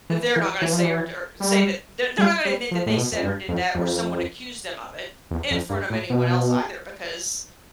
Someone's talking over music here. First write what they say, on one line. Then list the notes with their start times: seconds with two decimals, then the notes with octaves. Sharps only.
they're not gonna a say or d or say that they're they're not gonna admit that they said or did that or someone accused them of it in front of anyone else either because,
0.10 E3
0.36 E3
0.62 E3
0.73 F3
0.83 E3
1.40 G3
2.18 G3
2.45 G3
2.71 F3
2.86 A2
2.97 B2
3.12 F2
3.23 G2
3.49 F2
3.75 F2
5.31 E2
5.51 F2
5.70 G2
5.90 A2
6.10 B2